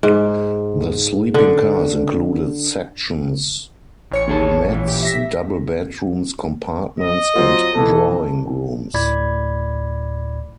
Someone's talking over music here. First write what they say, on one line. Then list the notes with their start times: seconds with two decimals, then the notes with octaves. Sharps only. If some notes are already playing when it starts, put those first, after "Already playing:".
The sleeping cars included sections, roomettes, double bedrooms, compartments, and drawing rooms.
0.03 G#2
1.34 D3
4.11 A1 C#5 C#7
4.28 D#3 G#4 A5
4.68 A#2 E3
4.88 G4
5.03 E5 A#6 B6
7.00 D#5
7.35 F#3 C4 F4
7.75 B2 E3 A4
8.94 D2 A2 D5 B5 G#6